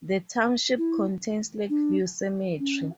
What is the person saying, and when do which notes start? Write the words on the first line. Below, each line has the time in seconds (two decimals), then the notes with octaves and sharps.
The township contains Lakeview Cemetery.
0.78 E4
1.69 D4
2.59 C#4